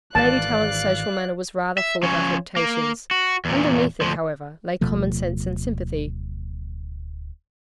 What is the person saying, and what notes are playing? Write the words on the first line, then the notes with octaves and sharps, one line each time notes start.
Lady Tallant's social manner was rather full of affectations. Underneath it, however, lay commonsense and sympathy.
G#1 E3 D5 F5 A5 F#6
E5
F3 C#4
A#3
F#4
E2 A#2
D2 F3
D1 B2 F3 A3